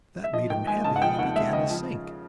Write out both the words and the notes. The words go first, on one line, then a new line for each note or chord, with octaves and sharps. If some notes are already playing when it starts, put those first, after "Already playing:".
That made him heavy and he began to sink.
E5
F3 D#5
D#2 G5
G#3 G#5
C#3 A5
F#5
F3 G5
D#2 F#5
G#3 E5
C#3 D#5
F3